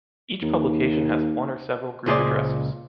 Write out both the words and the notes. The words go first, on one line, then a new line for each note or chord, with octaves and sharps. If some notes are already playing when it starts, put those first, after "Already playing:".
Each publication has one or several group addresses.
D#2
C#2 A#2 G#4 C5 D5